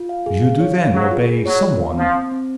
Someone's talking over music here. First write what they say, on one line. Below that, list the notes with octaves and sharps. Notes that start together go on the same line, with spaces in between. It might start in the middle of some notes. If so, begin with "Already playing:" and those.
"You do, then, obey some one?"
Already playing: F4
F5
G#4
F5
C#5
F5
F#3 G#4
F4
G#4
F#3 C#5
F4
F5
F3 C4
C4
C4